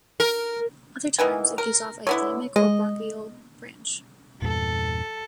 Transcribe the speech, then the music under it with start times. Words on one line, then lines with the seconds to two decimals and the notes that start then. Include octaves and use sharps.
Other times, it gives off a thymic or bronchial branch.
0.20 A#4
1.19 D#3 E3 B3 G#5
1.58 A#4
2.07 D3 B3 E4 C#5
2.56 G#3 D#5
4.42 E2 G2 A#2 A4